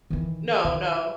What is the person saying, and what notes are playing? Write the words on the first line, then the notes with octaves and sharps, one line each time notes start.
No, no.
D#3 E3
D#3